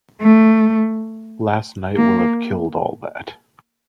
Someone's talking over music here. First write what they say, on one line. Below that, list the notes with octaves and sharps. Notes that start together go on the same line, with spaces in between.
Last night will have killed all that.
A3
A#3